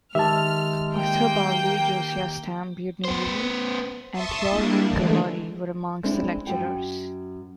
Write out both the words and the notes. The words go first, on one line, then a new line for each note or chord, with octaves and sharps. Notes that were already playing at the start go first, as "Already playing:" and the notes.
Arthur Bowley, Josiah Stamp, Udny Yule, and Theodore Gregory were amongst the lecturers.
D#3 G#3 G4 E5 A5 F6
A#3 G5
B3 C5
E5 A5 C6 C#6 D#6
G3 A#3 D4 E4
D3 E3 G#3 A3
G#3 C4 D4 E4
F#2 F#4 G5